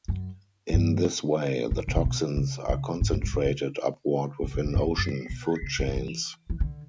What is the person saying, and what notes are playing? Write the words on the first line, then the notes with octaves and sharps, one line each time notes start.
In this way, the toxins are concentrated upward within ocean food chains.
F#2
G2
A2
B2
C#3
B2
C#3
C#3
A2
G2
G2
A2
B2
C#3
B2
B2
F#2
E2
F#2
B2
C#3
E3
D3
E3
E3
D3